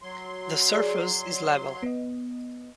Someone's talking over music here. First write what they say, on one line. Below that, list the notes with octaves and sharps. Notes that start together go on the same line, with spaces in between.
The surface is level.
F#3 C6
G#4 D5
B3 D#5